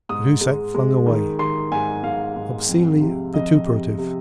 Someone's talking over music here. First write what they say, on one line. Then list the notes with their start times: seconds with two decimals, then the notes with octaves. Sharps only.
Cahusac flung away, obscenely vituperative.
0.09 G#2 D#6
0.41 G#3
0.74 G#3
1.06 D#3
1.39 D#3 C6
1.72 G#2 G#5
2.03 G#2 F5
2.36 G#2
2.68 F2
3.01 C3
3.34 F2 D#5
3.66 C3
3.98 C3